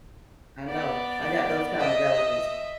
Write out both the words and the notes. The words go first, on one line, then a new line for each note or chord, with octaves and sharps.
I know. I got those kind of relatives
B3 D5
D#5 E5